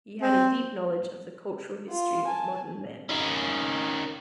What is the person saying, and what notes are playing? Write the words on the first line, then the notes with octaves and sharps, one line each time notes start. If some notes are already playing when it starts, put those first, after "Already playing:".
He had a deep knowledge of the cultural history of modern man.
C4
F4
G#5 A5
D#3 C#4